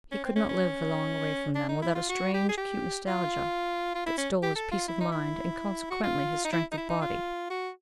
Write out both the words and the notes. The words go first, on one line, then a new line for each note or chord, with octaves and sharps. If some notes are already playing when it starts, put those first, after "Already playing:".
He could not live for long away from them without a strange, acute nostalgia that stole his peace of mind and consequently his strength of body.
C#4
C4
C#4
C#4
D4
D#4
E4
F4
F#4
G4
G#4
G4
F4
F4
E4
C#4
G4
A4
F4
E4
D#4
E4
F#4
F4
D#4
E4
D#4
E4
D#4
F4
F#4